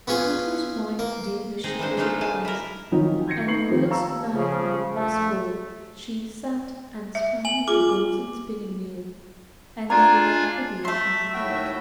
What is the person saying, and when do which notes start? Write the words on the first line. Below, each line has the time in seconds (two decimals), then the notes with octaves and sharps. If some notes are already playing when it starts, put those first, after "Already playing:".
The hunter's wife did as she was advised, and the first night the moon was full she sat and spun with a golden spinning-wheel, and then left the wheel on the bank.
0.07 B3 C#4 F4 G#4
0.99 A#3
1.64 G#3 C4 D#4 G#4 D#5
1.79 E3 A#3 D4 C5
1.97 G#3 A3 D4 D#4 F4
2.21 D5 G#5 A5
2.45 E4 A#4
2.92 D#3 F3 F#3 C#4 D#4
3.28 G6 G#6 A#6 C#7
3.47 A3 B3 D#4 C#6 C7 F#7
3.70 D#3 F3 D#4 G4
3.90 F5 A5 A#5 C#6 E6
4.33 C#3 F3
4.94 A#1 A3
7.15 E5
7.45 G#5 F#7
7.68 F4 G#4 D6
9.90 D4 F4 G#5 A#5
10.85 A3 E5 C6
11.33 D#2 F#3 E4 F#4 G5